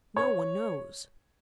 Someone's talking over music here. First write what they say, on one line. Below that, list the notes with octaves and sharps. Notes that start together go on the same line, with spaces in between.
No one knows.
C#5